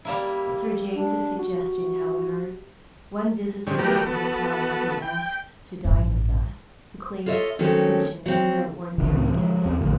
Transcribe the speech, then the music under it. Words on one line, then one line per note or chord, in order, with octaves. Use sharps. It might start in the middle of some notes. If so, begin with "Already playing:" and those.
At Sir James's suggestion, however, one visitor at the hotel has been asked to dine with us, who claims distinction as no ordinary guest.
G3 A#3 E4
D4
F#4
G#2 D3 G3 C4 C#4
F#3 G3 A3 B3 G4 A#4
B3 F#4 A4
G5
A1 G2
F4 A4 C#5 D#5 E5
D#3 F#3 A3 C4 C#4 A4
F#3 C4
G#1 D2 C#3 E3
C#2 A2 E3 C4
F3 G#3
E2 C4
A#1 F2 A2 D3